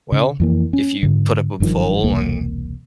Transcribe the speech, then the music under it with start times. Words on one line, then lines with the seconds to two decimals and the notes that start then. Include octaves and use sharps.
Well, if you put up a poll and
0.12 C#3
0.40 F2 E3 A#3
0.73 C#4
1.03 G#2 D3
1.60 F#1 G2 D#3 F3
2.03 E1 C2 A#3